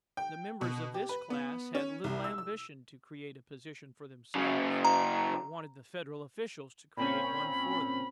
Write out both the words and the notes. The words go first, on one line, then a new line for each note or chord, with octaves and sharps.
The members of this class had little ambition to create a position for themselves, but wanted the Federal officials to create one for them.
G5
B2
G4
B4
B3
C#4
C2
E6
E6
C#3 F#3
A#5
A#2 C4 C#4 B5